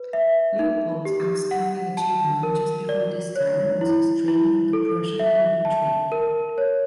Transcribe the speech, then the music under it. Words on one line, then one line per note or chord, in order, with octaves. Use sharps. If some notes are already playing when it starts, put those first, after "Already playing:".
Leopold's outstanding achievement just before this time was his training of the Prussian infantry.
Already playing: B4
E5
D#4
G4
F#5
A5
A#4
D5
C#5
E4
E4
A4
E5
A5
A#4
C#5